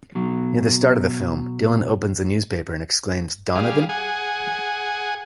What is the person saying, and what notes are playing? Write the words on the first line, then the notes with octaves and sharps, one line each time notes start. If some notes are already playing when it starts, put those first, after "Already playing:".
Near the start of the film, Dylan opens a newspaper and exclaims, Donovan?
B2 F#3
G3 G#4 F5
G#4 F#5 G#5